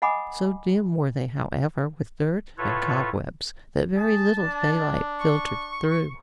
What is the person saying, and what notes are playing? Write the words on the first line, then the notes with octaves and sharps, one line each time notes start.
So dim were they, however with dirt and cobwebs, that very little daylight filtered through.
D#5 F#5 G#5 B5 D6 D#6
A2 F4 A4 B4 C#5
G#4 A5
D4
C#6